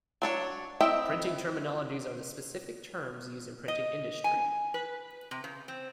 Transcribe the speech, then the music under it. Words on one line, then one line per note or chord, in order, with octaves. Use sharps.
Printing terminologies are the specific terms used in printing industry.
F#3 D4 C#5
C4 E4 D#5 E5 G5
D#5
G#5
B4
C3
C#3
C4